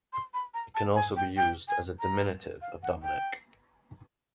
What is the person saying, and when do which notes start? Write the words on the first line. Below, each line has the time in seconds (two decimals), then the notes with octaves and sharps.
It can also be used as a diminutive of Dominic.
0.13 C6
0.34 B5
0.54 A#5
0.75 A5
0.95 G#5
1.16 G5
1.37 G5
1.68 G#5
1.99 A#5
2.61 F5
2.83 F#5
3.03 G5